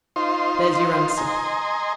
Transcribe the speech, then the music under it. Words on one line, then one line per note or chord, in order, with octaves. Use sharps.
There's your answer.'
D#4 F4 C5 C6
D#5 G#5 A#5 C6